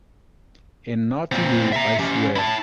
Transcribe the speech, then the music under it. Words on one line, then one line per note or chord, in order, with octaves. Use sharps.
And not you, I swear!
A#2 C4
E5 A#5
C#4 G4
E4 A5